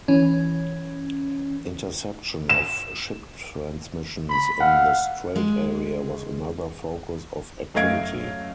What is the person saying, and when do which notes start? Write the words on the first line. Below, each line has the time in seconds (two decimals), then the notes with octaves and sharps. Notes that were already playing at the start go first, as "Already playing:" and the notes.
Interception of ship transmissions in the strait area was another focus of activity.
0.08 E3 C#4
2.49 E7
4.29 B5
4.60 F5 F#5
5.36 G#3
7.74 F#2 A3 D#5 F5 G#6 D7